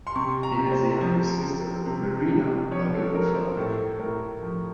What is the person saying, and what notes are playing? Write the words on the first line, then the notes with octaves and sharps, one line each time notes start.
He has a younger sister, Marina Ogilvy.
C6
C3 C#6
A#5
C3
C5
F3
F3
C3
C3
F3 C#5
A4
F3 A#4
C5
A2 A4
A2 A#4
F3